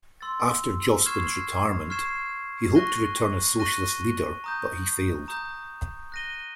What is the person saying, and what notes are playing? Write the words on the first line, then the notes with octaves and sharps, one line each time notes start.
After Jospin's retirement, he hoped to return as Socialist leader but he failed.
C6 E6 A6
C#6 F6 G#6 C7 E7
C#6 F6 G#6 C7 E7
C#6 F#6 A#6 D#7 G7
C#6 F#6 A#6 D#7 G7
A#5 D#6 G6
A#5 D#6 G6
F#6 A#6 D#7 G7